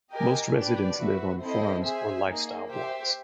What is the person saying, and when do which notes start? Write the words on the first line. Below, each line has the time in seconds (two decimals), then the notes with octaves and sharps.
Most residents live on farms or lifestyle blocks.
0.12 G4 A#4 D#5 G#5
0.56 D4 G4 B4 D5
0.98 F#4 B4 E5
1.42 C4 E4 A4 C5 D#5
1.84 G#4 C5 E5 G#5
2.27 A#3 D#4 G#4
2.70 G4 C5 E5